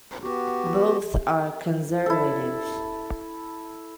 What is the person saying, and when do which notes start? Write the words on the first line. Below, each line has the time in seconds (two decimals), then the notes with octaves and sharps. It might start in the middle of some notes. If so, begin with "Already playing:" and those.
Both are Conservatives.
0.22 B3 F#4 G4
2.06 E4 A4